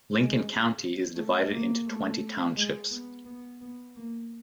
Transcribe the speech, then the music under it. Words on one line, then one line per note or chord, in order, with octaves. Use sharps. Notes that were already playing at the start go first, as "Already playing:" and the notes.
Lincoln County is divided into twenty townships.
G#3
A3
A#3
A3
G#3
B3
B3
B3
A#3